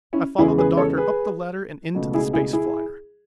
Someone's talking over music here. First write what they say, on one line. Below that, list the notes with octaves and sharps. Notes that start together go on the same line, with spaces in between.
I followed the Doctor up the ladder and into the space flier.
C#4 E4
E2 C#3 E3 G#3 E4 G#4
G#4 B4
A4 C#5
G#4 B4
C#2 B2 A3
E4 G#4
E4 G#4
E4 G#4